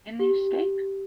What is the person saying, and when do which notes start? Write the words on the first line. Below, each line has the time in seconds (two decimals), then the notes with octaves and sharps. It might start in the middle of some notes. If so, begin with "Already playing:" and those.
Can they escape?
0.19 G4